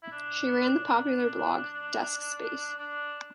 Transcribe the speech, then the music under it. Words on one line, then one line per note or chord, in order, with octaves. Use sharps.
She ran the popular blog, Desk Space.
E4
D4
D4